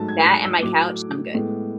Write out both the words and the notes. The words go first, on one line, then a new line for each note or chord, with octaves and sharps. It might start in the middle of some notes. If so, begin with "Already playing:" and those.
That and my couch, I'm good.
Already playing: G#2 F#3 A3 A5
G#6
F#6
E6
A2 F#3 A3 D6
A2 G#3 B3